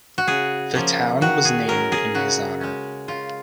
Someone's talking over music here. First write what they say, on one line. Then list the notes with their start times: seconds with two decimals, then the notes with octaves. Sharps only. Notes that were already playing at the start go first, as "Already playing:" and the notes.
The town was named in his honor.
0.18 F#4
0.28 C#3 G#4
0.75 F3 A#3 C#4
1.21 D#3 F#4
1.45 G#4
1.68 F#3 C#4 A#4
1.92 G#4
2.15 C#3 F#4
2.61 G#3 C#4
3.08 C#3 F4